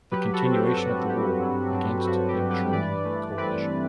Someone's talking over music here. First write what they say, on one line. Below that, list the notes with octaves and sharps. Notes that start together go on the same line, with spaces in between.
The continuation of the war against the German coalition.
F#3 G4 B4
F#4 A4
C4
G4
G2 F#4 A4
G2 G4
F#3
C4
G2 F#4
G4
G2
G4 B4
E3 B4 D5
A3
C4 B4 D5